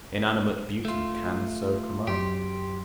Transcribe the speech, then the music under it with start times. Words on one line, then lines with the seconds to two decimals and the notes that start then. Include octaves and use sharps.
Inanimate beauty can so command.
0.85 A3 F4 E5
2.07 F#2 F#3 G4 C6